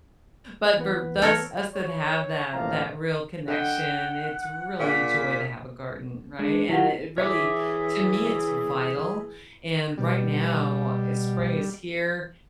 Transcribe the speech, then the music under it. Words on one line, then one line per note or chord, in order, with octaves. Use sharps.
but for those us that have that that real connection, it's really a joy to have a garden, right? And it really to me, it's vital, and right now, spring is here,
E3 B3 B4
A4 A#4 C#5
C#5
A1 F3 A#3 E5 F5 A#5
D3 D#5 F#5 G5
A#2 D4 G#4 B6
G#3 D4
F#3 E4 F4 G4 F#5
E3 G#4 C#5 E5 D6
B2 G3